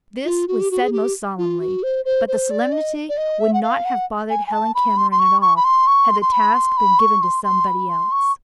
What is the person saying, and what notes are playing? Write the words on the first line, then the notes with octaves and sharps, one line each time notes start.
This was said most solemnly; but the solemnity would not have bothered Helen Cameron at all, had the task been given to somebody else!
F4
F#4
G4
F#4
G#4
G4
F4
F#4
C5
C5
C5
D5
D#5
D5
D#5
E5
F#5
F5
F#5
G#5
G#5
A5
B5
C6
C6
C#6
C#6
B5
C6
C#6
C6
C6
B5
C6
B5
C#6
C6
C6
B5
C6
C#6